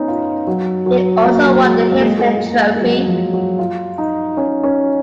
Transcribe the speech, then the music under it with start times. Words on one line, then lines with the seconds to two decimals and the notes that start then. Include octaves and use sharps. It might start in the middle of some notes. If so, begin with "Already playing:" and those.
He also won the Heisman Trophy.
Already playing: B3 C#4 D#4
0.08 F4
0.47 F#3
0.86 F#3
1.25 A#3
1.44 F#3
1.64 G#3
1.83 G#3
1.92 A#3
2.01 G#3
2.11 A#3
2.19 G#3
2.28 A#3
2.37 G#3
2.46 A#3
2.55 G#3
2.76 G#3
2.81 F#3
3.07 F3
3.33 F#3
3.59 F4
3.98 D#4
4.37 C#4
4.63 C#4